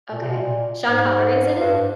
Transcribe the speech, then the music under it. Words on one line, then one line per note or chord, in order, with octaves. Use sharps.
Okay, Sean Connery’s in it?
A#2
C3
B2
A#2
G#2
G2